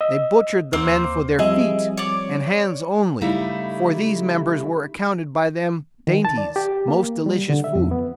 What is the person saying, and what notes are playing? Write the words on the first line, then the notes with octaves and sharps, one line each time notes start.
They butcher'd the Men for their Feet and Hands only; for these Members were accounted by them Dainties, most delicious Food.
D#5 E6
D#2 A#3 C4 C5
F3 G3 C4 E4 G#4 D#5
C#5 D5
C#3 G3 A3 D#4 E4
D#3
A5
D5
G4
A#3
G3
D3
E5
F2
B3